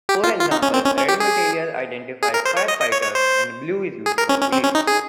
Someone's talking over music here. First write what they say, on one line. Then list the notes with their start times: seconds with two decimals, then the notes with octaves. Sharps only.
For example, red material identifies fire fighters, and blue is used for police.
0.09 G4
0.24 F4
0.40 F4
0.51 D#4
0.62 C#4
0.74 C4
0.85 C#4
0.97 C#4
1.09 G4
1.20 G#4
2.23 G#4
2.34 A#4
2.45 C5
2.57 C#5
2.68 D#5
2.81 D#5
2.92 C#5
3.03 C#5
3.15 C5
4.06 G#4
4.18 A#4
4.29 C#4
4.41 C#4
4.52 C4
4.64 C#4
4.75 D#4
4.87 G#4